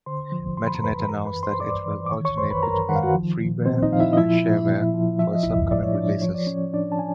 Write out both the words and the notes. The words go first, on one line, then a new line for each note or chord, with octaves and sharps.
Metanet announced that it will alternate between freeware and shareware for its upcoming releases.
D3 C5 C6
F3
F#2 C6
B5
A#5
F#2 B4 B5
B5
E3 A#4 A#5
B4 B5
G2
C5 C6
G2 D5 D6
E3
D6
D#3 C#5 C#6
C#5 C#6
F#2 C5 C6
B4 B5
F#2 A#4 A#5
D#3 F#5
F5
F#4 F#5
F3
A#2
A#2 C4 C5
D#4 D#5
F3 F5
E4 E5
D#5
F3 E4 E5
A#2
A#2
F3
F3 E5
D#5
A2 E4 E5
A2 D5
C#5
F3 D4 D5
F3 C#5
D5
A2 C#4 C#5
A2 D4 D5
A5
F3 G#5